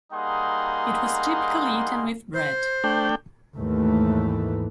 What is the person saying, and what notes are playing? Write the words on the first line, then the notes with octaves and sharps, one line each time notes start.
It was typically eaten with bread.
G3 A#3 D#4 G#4 F#5 C6
C5
A3 D4 G5
D#2 G#2 E3 A3